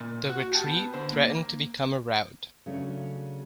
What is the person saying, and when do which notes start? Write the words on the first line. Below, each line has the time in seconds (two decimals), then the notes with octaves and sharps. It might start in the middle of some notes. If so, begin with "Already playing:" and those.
The retreat threatened to become a rout.
0.01 A#2
0.29 F#4
0.52 G4 A5
0.66 B3
0.94 D3 C5
1.13 A#3
2.66 C#3 F#3 A3 C#4 D4